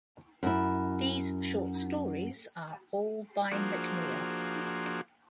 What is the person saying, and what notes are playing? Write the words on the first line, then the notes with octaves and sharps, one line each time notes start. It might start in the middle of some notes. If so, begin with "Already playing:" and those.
These short stories are all by McNeile.
F#2 E4
F3 A#3 D4 F#4 G#4 C5